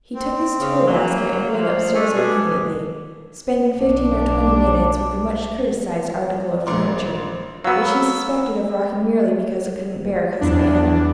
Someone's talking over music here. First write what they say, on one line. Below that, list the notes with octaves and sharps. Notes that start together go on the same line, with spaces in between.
He took his tool basket and went upstairs obediently, spending fifteen or twenty minutes with the much-criticised article of furniture, which he suspected of rocking merely because it couldn't bear Cousin Ann.
C4
C#3
F#3 A#3
F3
A3 D4 G#5
B2
B1 D4
A#1 C6 D6
F#3 B3 F#4 F5 E6
E2 D4